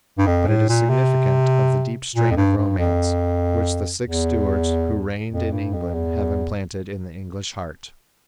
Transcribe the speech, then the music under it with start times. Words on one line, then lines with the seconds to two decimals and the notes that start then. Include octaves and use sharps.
But it is significant of the deep strain of romance which the six Stuarts who reigned in England have implanted in the English heart.
0.18 G2
0.27 F2
0.48 A2
0.69 A#2
0.90 C3
2.16 A#2
2.31 F2
2.37 G2
2.58 G2
2.78 F2
4.05 E2
5.30 F2
5.52 G2
5.73 F2
5.94 E2